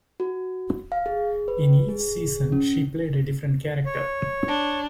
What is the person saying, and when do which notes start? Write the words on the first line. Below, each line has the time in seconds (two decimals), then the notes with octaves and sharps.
In each season she played a different character.
0.20 F#4
0.92 F5
1.06 G#4
1.48 B4
1.89 G#4
2.52 C#4
3.86 C#5
4.48 D4